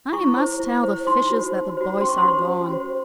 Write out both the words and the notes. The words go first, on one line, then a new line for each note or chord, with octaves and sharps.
I must tell the fishes that the boys are gone.
E4 C#6
C5
E4
C5
D#4 C6
F#4 C5
D#4
F#4 C5
C#4 C6
C#6
C6
F#4 C5
C#4
F#4 C5